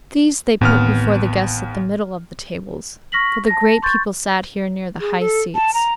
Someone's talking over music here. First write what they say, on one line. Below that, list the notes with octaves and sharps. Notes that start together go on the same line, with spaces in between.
These they put before the guests at the middle of the tables; for the great people sat here near the high seats.
A1 D#2 A2 B3 C4 F6
C#6 F6 A#6 B6 F#7
A5 A#6
C6 C#6 G6 A6
G#4
A4
A5
A#5